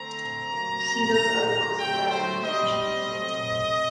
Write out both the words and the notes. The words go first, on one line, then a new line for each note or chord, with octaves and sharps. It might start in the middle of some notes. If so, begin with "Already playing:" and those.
See those articles for that information.
Already playing: D3 A3 C4 A#5
C3 F#3 A#3
F#2 D#3 A3 A#5
A#5
D3 F#3 A3 C4 G5
C5
C3 G3 C4 D#5
C3 F#3 A3 C4